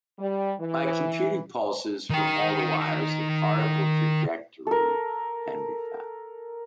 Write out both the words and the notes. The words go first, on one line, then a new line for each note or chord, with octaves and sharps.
By computing pulses from all the wires, the particle trajectory can be found.
G3
E3
D#3 G5
A4 A#4